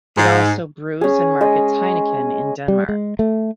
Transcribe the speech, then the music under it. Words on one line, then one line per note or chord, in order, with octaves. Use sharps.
It also brews and markets Heineken in Denmark.
G#2
C#4 G#4
G#3 D#5
G3
G#3
A3